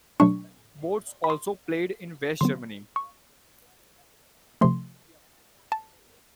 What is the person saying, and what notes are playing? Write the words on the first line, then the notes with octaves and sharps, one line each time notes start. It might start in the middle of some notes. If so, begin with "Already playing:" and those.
Bots also played in West Germany.
B2 F#3 A3 D4 C#6
B5
C6
D3 F#3 B3 C6
C#6
C3 F3 A3 C6
A5